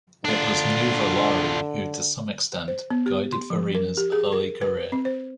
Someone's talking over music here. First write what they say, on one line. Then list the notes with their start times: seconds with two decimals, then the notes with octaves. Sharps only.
It was Nuvolari who to some extent, guided Farina's early career.
0.25 D3 D4 F4
2.68 C5
2.90 B3
3.06 G4
3.32 C6
3.50 F3
3.75 A#4
3.97 G4
4.12 G#4
4.32 A#4
4.62 B4
4.92 C4
5.05 C5